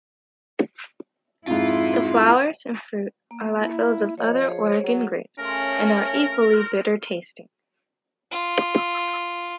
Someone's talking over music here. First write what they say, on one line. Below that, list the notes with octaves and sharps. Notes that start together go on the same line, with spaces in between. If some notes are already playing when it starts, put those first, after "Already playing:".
The flowers and fruit are like those of other Oregon-grapes, and are equally bitter-tasting.
F2 G#2 E4 F4
A#3
E4
F3 C#5 D#5
G#4 C5 C#5
F#3
C#3 A3 C#4 A#4
F4